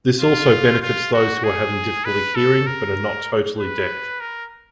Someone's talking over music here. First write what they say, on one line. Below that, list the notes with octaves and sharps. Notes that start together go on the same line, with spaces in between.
This also benefits those who are having difficulty hearing, but are not totally deaf.
F4
F4
F#4
G#4
B4
A4
A#4
B4
A#4